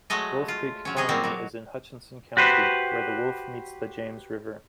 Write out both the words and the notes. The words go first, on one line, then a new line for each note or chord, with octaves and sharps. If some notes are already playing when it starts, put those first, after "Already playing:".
Wolf Creek Colony is in Hutchinson County, where the Wolf meets the James River.
F#3 G#3 A3 D#5
F4
F#3 C#4
B3 C#4 G#4 D#5
F#3 G3 A#3 C4
B2 F#3
F#4 G4 B4 C5